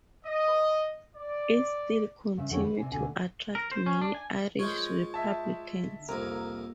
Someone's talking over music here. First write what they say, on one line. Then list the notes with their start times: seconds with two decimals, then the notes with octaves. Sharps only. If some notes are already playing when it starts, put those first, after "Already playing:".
It still continued to attract many Irish Republicans.
0.25 D#5
1.16 D5
2.37 G2 C#3 E5
2.50 F2 D3 D#3 G3 C#4 C#5
2.65 B4
2.78 C3 D4 G#5
2.92 D2 B2 D3 G#5
3.55 A#4
3.71 C5
3.86 C#4
4.01 D4
4.15 G#5
4.59 G#3 F4 A#4 C5 C#5
5.14 E5 A5
6.09 C2 F2 A#3 A4 A#4 A#5